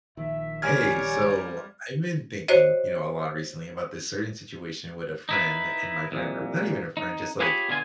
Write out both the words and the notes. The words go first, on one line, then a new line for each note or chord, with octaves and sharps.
Hey, so I've been thinking, you know, a lot recently about this certain situation with a friend in my friend group. Not even a friend, just, like,
A#1 D#3 F3 E5
G3 G4 C#5 G#5 F6 G#6
F#4 C5 C#5 D#5
D#4 E4 B4
C2 F2 A#2
D#4
F4 G4 G#4 C#5 G#5 B5
B2 D3 F4 G#5